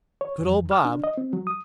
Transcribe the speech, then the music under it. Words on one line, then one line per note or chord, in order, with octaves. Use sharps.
Good old Bob!
C#5
F2
F6
D4
D#5
C4
F#3
D#6